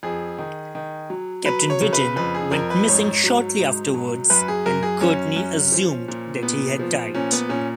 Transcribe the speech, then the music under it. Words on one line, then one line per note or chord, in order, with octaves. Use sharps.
Captain Britain went missing shortly afterwards and Courtney assumed that he had died.
F2 G#4
D#3
D#3
F#3
F#3 B4
C#5
C#3
B4
F2 B4
G#4
F2 A#4
B4
G#2 C#5
F#3
G#2
F#3
F#2 B4
G#4
F#2 A#4
G#4
F#2 C#4
F#2
F3
A#2
A#2 B3
F3
A#2 C#4
B3
A#2 C#4